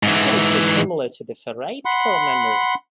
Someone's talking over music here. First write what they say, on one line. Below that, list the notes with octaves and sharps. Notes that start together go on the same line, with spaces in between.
This makes it similar to the ferrite core memory.
G#2 E3
F#5 B5 C6